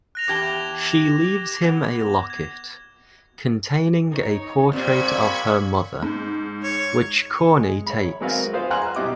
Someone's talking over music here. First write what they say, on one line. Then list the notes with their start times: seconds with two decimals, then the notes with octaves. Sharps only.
She leaves him a locket, containing a portrait of her mother, which Corney takes.
0.15 F#6 A#6 F7
0.28 E2 G4 A5 D6 G#6 G7
0.81 E7
1.24 G4
1.65 B3
2.30 G#6
4.10 D#4 C#5
4.73 A#2 G3 C4 D5 B5 C#6 G#6
6.02 G#2
6.63 C#5
7.58 G#3
7.86 C#5 B5
8.20 G#3 C4 F#4 A#4 B4 F5
8.53 F4 G#4 B4 C5 F5
8.70 F#5 G#5 A#5 C6 F#6
8.96 B2 E4 G4 D#5 D6